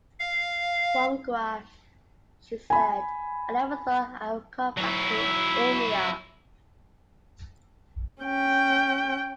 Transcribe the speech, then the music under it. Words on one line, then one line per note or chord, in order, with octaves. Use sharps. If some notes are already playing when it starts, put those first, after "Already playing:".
From Goa, she said: I never thought I would come back to India.
F5
G#5 B5
F#3 E4
C#4 G5